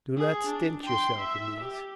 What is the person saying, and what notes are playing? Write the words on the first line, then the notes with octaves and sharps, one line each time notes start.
Do not stint yourself in these.
G#4
D4
G5 C6
E5
G4